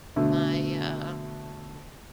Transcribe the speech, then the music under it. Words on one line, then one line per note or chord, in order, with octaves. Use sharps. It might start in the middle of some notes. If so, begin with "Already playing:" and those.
my, uh
B2 D3 A3